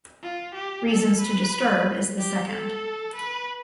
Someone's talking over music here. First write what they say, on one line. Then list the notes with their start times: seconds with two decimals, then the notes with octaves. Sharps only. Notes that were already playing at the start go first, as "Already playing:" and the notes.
"Reasons to Disturb" is the second.
0.22 F4
0.55 G4
0.88 A4
1.21 B4
2.18 G4
2.50 A4
3.16 B4